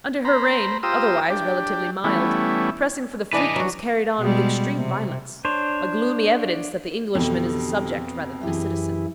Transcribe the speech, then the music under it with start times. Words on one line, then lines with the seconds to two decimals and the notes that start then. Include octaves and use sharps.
Under her reign, otherwise relatively mild, pressing for the fleet was carried on with extreme violence--a gloomy evidence that the Englishman is a subject rather than a citizen.
0.25 C5 A#5 B5
0.83 F4 G4 C5 A#5 D#6 E6
1.30 D4 G4
2.04 E3 G3 A3 B3 C#4 E4
3.33 E3 D4 B4 D#5
3.56 F#3 F#4
4.19 B2 G3 G#3
4.75 C3
5.45 D4 C5 C#5
7.15 F2 B2 D3 E3 G4
8.43 F#2 E3 E4 G4 G#4